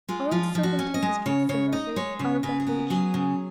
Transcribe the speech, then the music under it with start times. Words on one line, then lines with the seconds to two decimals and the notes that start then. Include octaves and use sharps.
Our old silvan tapestries, similarly, are of that age.
0.08 G#3 F4
0.31 F3 F4
0.55 F3
0.63 F#4
0.79 C#4
0.94 D#5
1.02 G#3
1.26 C#3 C#5
1.49 C#3 C#5
1.72 D#4 D#5
1.96 G#3 C#5
2.19 C#3 C#5
2.43 C#3 B4
2.60 G#4
2.67 B3 A#4
2.90 F#3 G#4
3.14 C#3